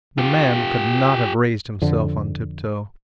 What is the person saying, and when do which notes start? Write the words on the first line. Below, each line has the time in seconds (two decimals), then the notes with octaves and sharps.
The man could not have raised himself on tiptoe.
0.18 F4 G4
1.82 F2 D3